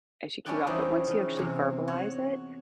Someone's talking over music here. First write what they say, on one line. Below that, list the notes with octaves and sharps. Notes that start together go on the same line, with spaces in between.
I should keep it up, but once you actually verbalize it,
C#4 D4 E4 G4 D5 F#5
E3 F3 G3 D#4 E4 F#4
C#3
E2 C3
F#4 C#5